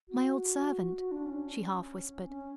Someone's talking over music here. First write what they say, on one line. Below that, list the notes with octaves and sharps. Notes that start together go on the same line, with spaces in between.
"My old servant," she half whispered.
F#4
F#4
D4
C#4
C#4